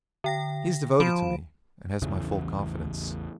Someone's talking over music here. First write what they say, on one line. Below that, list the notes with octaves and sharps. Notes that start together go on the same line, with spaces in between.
He is devoted to me, and has my full confidence.
D3 G5 A#6
F3 B5 D7 E7
A1 E2 C#3 E3